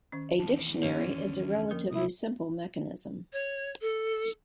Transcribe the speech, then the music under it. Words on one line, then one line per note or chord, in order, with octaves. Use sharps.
A Dictionary is a relatively simple mechanism.
D#3 C#4
D#2 E3 A5
F2 D3 C#4 B4
F3 A#3 A#4
C2 E4 D#6
C#5
A4